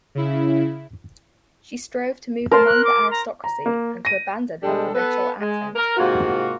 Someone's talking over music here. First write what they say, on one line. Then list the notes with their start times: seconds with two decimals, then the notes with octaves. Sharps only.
She strove to move among the aristocracy and to abandon her provincial accent.
0.15 C#3 E4
2.51 A#4 C5 A5 C6
2.66 F#6
2.84 D6
3.11 A#5
3.44 A#5
3.66 A#3
4.05 A#6 D#7
4.63 B2 G3 G#3 D4 G4 A4
4.95 B3 A4 B4
5.41 G#3
5.76 A#4
5.97 G#2 C3 A#3 F4 F#4